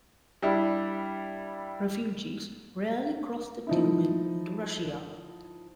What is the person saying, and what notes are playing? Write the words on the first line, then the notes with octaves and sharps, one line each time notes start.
Refugees rarely cross the Tumen into Russia.
G3 D4 E4
F3 D#4 E4